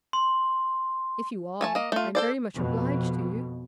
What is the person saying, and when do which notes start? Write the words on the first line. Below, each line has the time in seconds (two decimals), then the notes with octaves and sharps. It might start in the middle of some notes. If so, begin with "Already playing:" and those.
If you are, I'm very much obliged to you.'
0.13 C6
1.61 A3 G#5 A5
1.75 A#3 D#5
1.92 A3 F4
2.15 A4 C5 D5
2.54 F2 B2